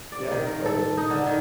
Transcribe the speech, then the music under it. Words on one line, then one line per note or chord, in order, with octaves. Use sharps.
Yeah, likewise.
D5
D#3
A#4
A4
D#4
D3
D#3